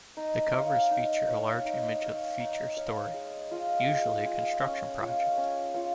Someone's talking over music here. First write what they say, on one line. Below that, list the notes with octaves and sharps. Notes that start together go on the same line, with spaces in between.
The covers featured a large image of the feature story, usually a construction project.
D#4
C#5 F5
D#4
C#5 F5
D#4
C#5 F5
D#4
C#5 F5
G#3
F4 G#4 D#5
G#3
F4 G#4 D#5
C#4
F4 C#5 F5
C#4
F4 C#5 F5